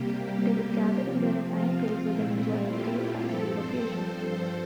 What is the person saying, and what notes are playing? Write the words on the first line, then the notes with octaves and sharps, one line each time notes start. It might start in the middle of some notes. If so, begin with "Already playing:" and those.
They would gather in their assigned places and enjoy a great festive occasion.
Already playing: C3 G3 A#3 G4
C3 F3 C4
F4
F4
A#2 A3 C4 E4
F4
G4
G2 F3 C4 A4
C5